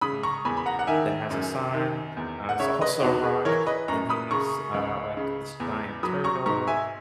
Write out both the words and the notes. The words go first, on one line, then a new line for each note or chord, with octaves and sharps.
um, that has a son, uh, that's also a rock. And he meets, uh, like, this giant turtle,
C#3 B5 D#6
A#5 C#6
E2 G#5 B5
B5
F#5 A#5
F#5
D#3 E5 G#5
F#2
D#3
E2
F#5
C#3 C#5 E5
B4 D#5
E2 D#4 F#4
G#4 B4
E3 A#4 C#5
B4 D#5
F#2 A#5 C#6
B5 D#6
C#3 A#5 C#6
C#2
C#3
E2
F#3 B5 D#6
A#5 C#6
G#2 A#5 C#6
E5 G#5